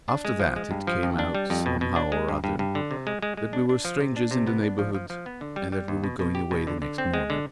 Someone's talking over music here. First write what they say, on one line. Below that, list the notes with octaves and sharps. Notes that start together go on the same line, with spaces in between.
After that it came out, somehow or other, that we were strangers in the neighbourhood, and that we were going away the next morning.
D4
G#3
F3
G#3
G2
F3
F2
D4
G3
F2
B2
B2
D4
G#3
G2
G2
G2
D3
C3
G#3
G#3
G#3
D4
D4
F3
C3
D4
C3
B3
D4
F3
F3
F3
B3
D3
G3
G3
D#2
B2
B2
G4
B2
D3
D3
C4
G#3
D3